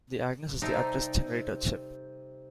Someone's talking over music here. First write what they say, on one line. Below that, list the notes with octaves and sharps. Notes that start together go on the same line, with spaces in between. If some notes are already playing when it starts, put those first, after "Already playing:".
The Agnus is the Address Generator Chip.
C3 G3 D#4 A4 A#5